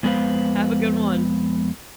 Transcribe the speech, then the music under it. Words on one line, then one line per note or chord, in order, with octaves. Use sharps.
Have a good one.
F2 G#3 B3 B4 C5 F5